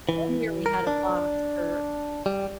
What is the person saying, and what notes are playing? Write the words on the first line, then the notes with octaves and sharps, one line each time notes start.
One year we had a box for
E3
A#4
D4
G3